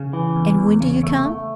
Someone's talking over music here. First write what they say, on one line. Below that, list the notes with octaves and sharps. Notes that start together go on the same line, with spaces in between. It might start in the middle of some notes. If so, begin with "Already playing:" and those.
"And when do you come?"
Already playing: C#3
E3
E2
E2
C#3
A3
A3